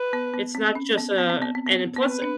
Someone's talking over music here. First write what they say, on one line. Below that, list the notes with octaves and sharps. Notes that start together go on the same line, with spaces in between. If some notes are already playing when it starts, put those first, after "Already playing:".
It's not just a and then plus
Already playing: B4
B3
B3
C4
C#4
B3
B3
C4
B3
C4
B3
B3
C4 B4
D4